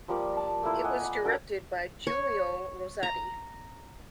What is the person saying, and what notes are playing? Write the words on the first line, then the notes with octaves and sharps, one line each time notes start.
It was directed by Giulio Rosati.
F3 G3 A#3 D5
A5
A3 A#3 E4 C5
D#5 F#5 G#5
D5 F#5 B5
D4 F#4 A4 A#4
C#5
A#5